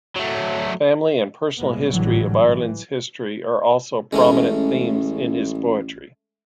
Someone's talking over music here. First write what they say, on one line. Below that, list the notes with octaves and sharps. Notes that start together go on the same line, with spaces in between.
Family and personal history and Ireland's history are also prominent themes in his poetry.
F#3 A3
A2 G3 G#3 A#3 B3
G#1 A2 D3 E3 F#3 G3
E3
A1 G#3 A3 C#4